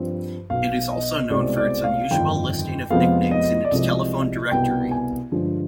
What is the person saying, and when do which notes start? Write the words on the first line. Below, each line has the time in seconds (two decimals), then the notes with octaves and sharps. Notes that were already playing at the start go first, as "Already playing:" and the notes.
It is also known for its unusual listing of nicknames in its telephone directory.
Already playing: G2 F3 C4
0.50 B1 B2 B3 F5
0.90 D#5
1.30 C2 B2 G#3 C4 D5
1.57 D5
1.84 F5
2.10 G1 F2 D#3 G5
2.90 F2 C3 F3 G#3 B3 F5
3.31 D#5
3.65 D5
3.71 C2 C3 F3 G#3 D#5
4.51 C2 B2 B3 G5
4.91 G#5
5.32 G2 D3 F3 G#3